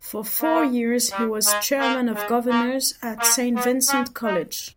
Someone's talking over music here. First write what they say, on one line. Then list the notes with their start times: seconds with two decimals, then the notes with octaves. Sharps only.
For four years he was chairman of governors at Saint Vincent College.
0.41 A#3
1.11 G3
1.46 G#3
1.80 A#3
2.14 G#3
2.49 A#3
3.18 A#3
3.54 B3
3.88 C#4
4.23 D#4